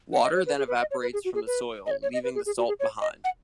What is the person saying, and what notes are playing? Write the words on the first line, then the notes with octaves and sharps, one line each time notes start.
Water then evaporates from the soil leaving the salt behind.
F#5
D#5
C#5
B4
G#4
B4
D#5
C#5
B4
G#4
F#4
G#4
B4
D#5
C#5
C#5
D#5
B4
G#4
G#4
F#4
G#4
C#5
D#5
F#5